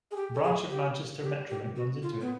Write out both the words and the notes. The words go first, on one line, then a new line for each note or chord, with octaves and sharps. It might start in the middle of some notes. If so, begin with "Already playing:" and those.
A branch of Manchester Metrolink runs into it.
G#4
G4
A4
G#4
G4
G4
G4
F#4
F4
B3